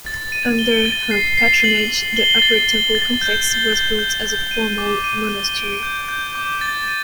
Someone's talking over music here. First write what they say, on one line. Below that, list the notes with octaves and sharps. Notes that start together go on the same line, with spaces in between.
Under her patronage, the upper temple complex was built as a formal monastery.
A6
D#7
G7
A6
C7
C7
F#7
F#7
G7
A6
G7
A6
G6
G7
G6
G6
G6
D#7
D6
D#7
G7
D7
G6
G6
D6
A6
D#7